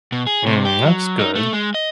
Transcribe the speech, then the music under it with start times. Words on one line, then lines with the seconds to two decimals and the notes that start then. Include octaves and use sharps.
Mm, that's good.
0.12 B2
0.27 G#4
0.46 C3
0.65 G4
0.85 F#3
1.19 D#4
1.35 A3
1.53 G#3
1.74 D#5